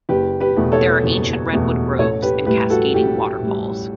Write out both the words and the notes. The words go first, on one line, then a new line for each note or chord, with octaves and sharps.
There are ancient redwood groves and cascading waterfalls.
F#1 G4 B4
G4 B4
E2 B2 A3
A4 C#5
F#1
E2 B2 A3
A1 A4 C#5
G4 B4
A2 G3 G4 B4
F#4 A4
A1 G4
A2 G3